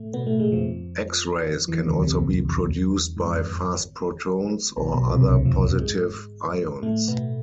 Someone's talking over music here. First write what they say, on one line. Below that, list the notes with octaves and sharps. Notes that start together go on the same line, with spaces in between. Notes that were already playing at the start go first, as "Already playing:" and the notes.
X-rays can also be produced by fast protons or other positive ions.
Already playing: A2 A3
B2 B3
A2 A3
G#2 G#3
F2 F3
E2 E3
D2 D3
C2 C3
F2
E2
G#2
F2
B1 B2
B1 B2
C2 C3
D2 D3
F2 F3
F2 F3
G#2 G#3
A2 A3
B2 B3